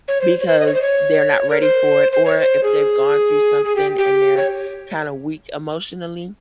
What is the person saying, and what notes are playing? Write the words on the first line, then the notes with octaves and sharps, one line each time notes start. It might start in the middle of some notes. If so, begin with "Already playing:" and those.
because they're not ready for it, or if they've gone through something, and they're kinda weak emotionally,
C#5
C5
C#5
C5
D#5
C#5
C5
C#5
A#4
C5
C5
C#5
C5
G#4
G#4
G4
G4
C#5